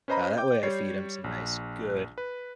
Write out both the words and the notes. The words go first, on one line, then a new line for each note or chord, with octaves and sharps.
uh, that way I feed 'em some nice good
C#4 B4 C5 D#5 A#5 B5
G5 D6 G6
G3 C#5 G6 C7
A#1
B4